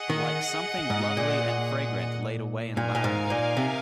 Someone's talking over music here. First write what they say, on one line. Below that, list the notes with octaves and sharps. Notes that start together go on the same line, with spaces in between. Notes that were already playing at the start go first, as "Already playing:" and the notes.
Like something lovely and fragrant laid away in lavender.
Already playing: G#4 D#5 F#5
D#3
G#2
A#2
A#2 D#4 A#4 F5 G#5
A#2
G#2
A#2
C3